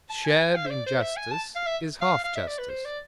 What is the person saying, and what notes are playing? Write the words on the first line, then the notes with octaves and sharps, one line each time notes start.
Shared injustice is half justice.
A5
G#5
G#5
F5
C5
D5
C5
E5
G#5
A5
F5
E5
F5
F5
E5
D5
B4
C5
D5